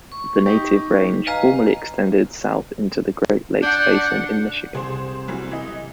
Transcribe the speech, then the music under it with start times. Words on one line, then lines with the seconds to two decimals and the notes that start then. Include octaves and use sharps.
The native range formerly extended south into the Great Lakes basin in Michigan.
0.12 C#6
0.46 D#4 G4
1.27 B4 D#5 F5 G#5 A#5 F6
3.63 D4 F#5 A5 G6
4.75 C2 G#4 C5
5.28 E3 F#3 G3
5.51 E3 D#5